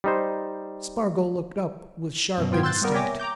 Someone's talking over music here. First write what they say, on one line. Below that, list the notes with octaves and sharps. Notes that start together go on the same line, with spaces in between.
Spargo looked up with sharp instinct.
G3 D#4 C5
F#2 B2 F#3
G#2 B3 F4 G5 G#6
C6 E6 F#6 G6 A6
G3 A#3 B3 A#4
C#5 E5 G5 G#5 D6 A#6
G5 A#5 D6 G6